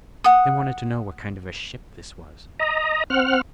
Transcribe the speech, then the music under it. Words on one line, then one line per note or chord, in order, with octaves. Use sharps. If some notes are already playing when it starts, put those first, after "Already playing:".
They wanted to know what kind of a ship this was.
F#5 D#6
D#5 A#5
C4 F#5 F6